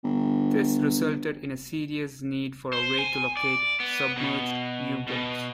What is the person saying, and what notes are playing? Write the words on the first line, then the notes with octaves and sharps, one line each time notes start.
This resulted in a serious need for a way to locate submerged U-boats.
G1
C5
G#5
D5
B3
B2
B2